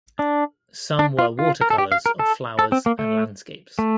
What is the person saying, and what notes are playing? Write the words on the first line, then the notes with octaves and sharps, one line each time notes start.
Some were watercolors of flowers and landscapes.
D4
D4
F4
F4
A#4
A4
G4
F5
A#4
A4
A4
C4
A#3
A3
A3